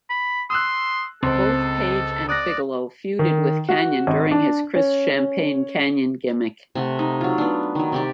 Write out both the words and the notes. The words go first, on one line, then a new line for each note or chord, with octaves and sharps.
Both Page and Bigelow feuded with Kanyon during his Chris "Champagne" Kanyon gimmick.
B5
C6 D#6 E6 F#6
C#2 C4 A4 C5
D5 D#6 F#6 A#6
D#3
F#4
G#1
D4
C#4
C3 A3 F#5
D#4
F#3 F4
B3 D4
D#3 F#3
C3 G4 D5